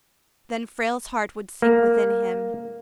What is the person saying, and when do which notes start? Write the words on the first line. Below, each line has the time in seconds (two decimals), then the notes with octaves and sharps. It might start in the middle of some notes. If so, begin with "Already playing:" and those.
Then Frale's heart would sink within him.
1.62 A#3